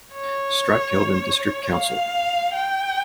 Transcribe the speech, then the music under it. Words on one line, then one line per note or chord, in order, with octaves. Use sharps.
Stratkelvin district council.
C#5
F5
G5